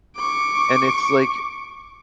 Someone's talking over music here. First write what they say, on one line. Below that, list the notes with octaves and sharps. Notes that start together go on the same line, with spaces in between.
and it's like
C#6 D6